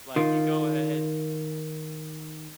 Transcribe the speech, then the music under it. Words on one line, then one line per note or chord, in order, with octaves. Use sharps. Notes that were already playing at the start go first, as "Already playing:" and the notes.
Like, you go ahead,
D#3 F4